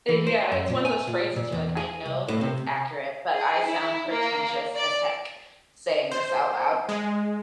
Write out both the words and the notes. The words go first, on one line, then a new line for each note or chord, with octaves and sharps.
Yeah, it's one of those phrases you're like, "I know that it's accurate, but I sound pretentious as heck, saying this out loud."
E3
C5
F#2
A#2
G#5
A#2
A#2
E2
G#4
C2
A2
C3
G#4
E4
A#3
D5
C5
G#3